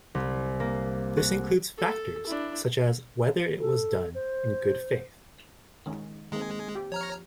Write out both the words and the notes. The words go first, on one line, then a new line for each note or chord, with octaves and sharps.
This includes factors such as whether it was done in good faith.
C2
A#3
F#4
A4
D4 E4
A4
C5
D#3 G#3 C#4
D#3 G#3 A#3 C4 G#4
G4
F3 C#5 A#5 F6